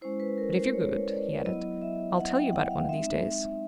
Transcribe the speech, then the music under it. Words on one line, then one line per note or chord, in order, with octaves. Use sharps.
"But if you're good," he added, "I'll tell you about it one of these days."
G#3 C#4 E4 C5
B4
A#4
C5
C#5
D5
F#3 B3 E4 D#5
E5
F#5
G5
F#5
F5
G#3 C4 D#4 E5